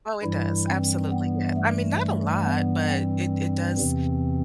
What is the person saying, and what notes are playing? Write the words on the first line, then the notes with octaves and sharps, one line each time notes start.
Oh, it does, absolutely, yeah. I mean, not a lot, but it it does
G2 E3 G3 E4
C4
B3
A3
A3
B3
C4
E2 C3 E3